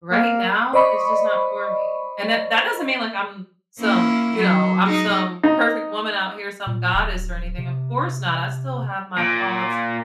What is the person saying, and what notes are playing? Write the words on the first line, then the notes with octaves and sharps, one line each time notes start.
right now, it's just not for me. And that that doesn't mean, like, I'm some, you know I'm some perfect woman out here, some goddess or anything, of course not, I still have my faults,
A#3
C5 D5 D#5 B5 C#6
A#3 C#4 E4
F#3
G#3 D#4
D#4
A#2
D1
C3
A#2